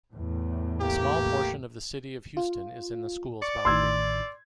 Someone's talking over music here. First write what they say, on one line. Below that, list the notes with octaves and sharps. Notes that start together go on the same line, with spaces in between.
A small portion of the City of Houston is in the school's boundary.
E2 A2
A3 A#3 G4
F4
D5 C#6 C#7
A1 A2 D#3 C6 E6 G#6